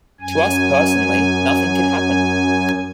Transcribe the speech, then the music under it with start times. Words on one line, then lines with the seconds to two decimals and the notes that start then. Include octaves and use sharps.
To us personally nothing could happen.
0.21 F#2 G#5